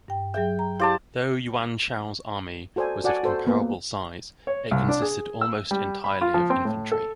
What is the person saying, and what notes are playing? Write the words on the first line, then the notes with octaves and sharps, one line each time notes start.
Though Yuan Shao's army was of comparable size, it consisted almost entirely of infantry.
G2 G5
F#3 G#4 E5 G5
A#5
E4 G4 C5 D5 F5 A5
F#4 A4 C5 D5 G#5
F#4 D5 F#5 G#5 A5
F#4 A4 C5
A#3 B3
C#5
C2
D4
G#4
E6
G3
B5
F4
F3
C4
A2
A4